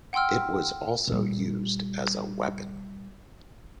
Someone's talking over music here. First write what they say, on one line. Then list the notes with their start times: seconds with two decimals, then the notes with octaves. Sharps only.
It was also used as a weapon.
0.13 F#5 G5 C6 E6 F6
1.07 A#2 G3